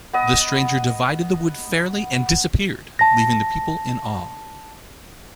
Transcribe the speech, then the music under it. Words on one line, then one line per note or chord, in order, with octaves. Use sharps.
The stranger divided the wood fairly and disappeared, leaving the people in awe.
B3 D#5
A5 A#6